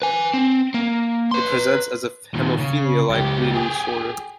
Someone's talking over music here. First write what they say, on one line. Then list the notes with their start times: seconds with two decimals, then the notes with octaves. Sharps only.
It presents as a hemophilia-like bleeding disorder.
0.02 B4 G#5
0.34 C4
0.74 A#3
1.31 B4 C6
2.35 A#2 D#3
2.59 C#3
3.10 C#2 G4
3.54 G4 G#4